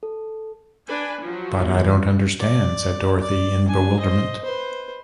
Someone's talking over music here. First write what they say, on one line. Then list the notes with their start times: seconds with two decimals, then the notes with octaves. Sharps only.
"But, I don't understand," said Dorothy, in bewilderment.
0.03 A4
0.88 D4 B4 G#5
1.21 F3 F#3
1.60 E2
2.40 D5
3.21 D5
3.68 D4 G#5
4.00 C5 D#5
4.44 B4 C5